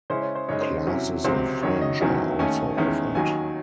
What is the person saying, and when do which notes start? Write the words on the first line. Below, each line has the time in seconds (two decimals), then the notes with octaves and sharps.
Classes in French are also offered.
0.10 C#3 G#3 C#4 E4 C5
0.23 C#5
0.35 C5
0.48 F#2 C#3 G#3 D#4 C#5
0.61 C5
0.87 C3 F#3 C#4 E4
1.24 C#2 C3 F#3 C4 C5
1.62 F#2 D#3 F#3 C#5
1.81 D#5
2.01 E2 D#3 F#3 C#4 E4 E5
2.39 D#2 D#3 A3 C#4 G#5
2.77 E2 D#3 G#3 C#4 E4
3.15 D#2 D#3 F#3 G#5